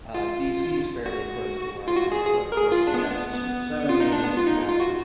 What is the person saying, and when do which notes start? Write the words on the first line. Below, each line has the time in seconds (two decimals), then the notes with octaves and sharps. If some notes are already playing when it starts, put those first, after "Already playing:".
uh, DC is fairly close to where I'm at, so, of course, you got the Smithsonian, you've got the
0.15 F4
1.06 F#4
1.88 F4
1.96 F#4
2.12 G#4
2.27 G#4
2.52 A#4
2.57 G#4
2.72 F4
2.87 D4
2.94 B3
3.02 D4
3.10 B3
3.33 B3
3.89 F4
4.00 D#4
4.12 D4
4.24 B3
4.37 F4
4.47 D#4
4.69 F4
4.80 F#4